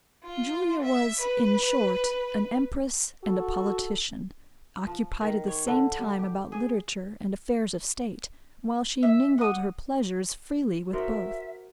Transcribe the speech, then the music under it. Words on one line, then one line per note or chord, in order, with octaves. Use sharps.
Julia was, in short, an empress and a politician, occupied at the same time about literature, and affairs of state, while she mingled her pleasures freely with both.
F4
E5
B4
F#4 A4
F3
D#3
C#5
D3
G3
G4
G#4
E5
F#5 D#6
F#4 A#4 C5 E5